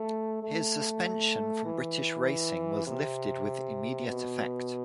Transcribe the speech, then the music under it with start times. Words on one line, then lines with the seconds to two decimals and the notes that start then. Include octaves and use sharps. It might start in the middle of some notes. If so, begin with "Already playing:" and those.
His suspension from British racing was lifted with immediate effect.
Already playing: A3
0.43 A3
1.65 E3
2.87 C3
4.08 B2